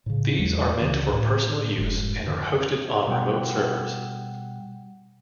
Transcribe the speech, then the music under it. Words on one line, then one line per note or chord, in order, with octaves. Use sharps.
These are meant for personal use and are hosted on remote servers.
A2 C#3
E2 G#3
C#2 C#3 E3 C#4
A2
F1 G#2
F2 D3
B2 G3 F#5 G5